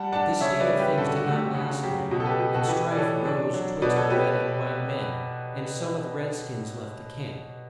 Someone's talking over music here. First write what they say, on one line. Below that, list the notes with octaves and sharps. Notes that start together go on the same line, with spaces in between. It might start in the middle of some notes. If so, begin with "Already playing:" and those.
But this state of things did not last long, and strife rose twixt the red and white men, and some of the red-skins left the camp.
Already playing: G3 F#5 A5
D4 F#5 A5
C#3 C#5 E5
B4 D5
G3
G4 B4
D3 F#4 A4
F#4
A3
G4
C#3 F#4
F#3 G4
B2
A4
G4 B4
B2 G4
F#4 A4
E3 G4 B4
D5
E3 A4 C#5
D4
F#3
B2 B4 D5
A4 C#5
B2 G4 B4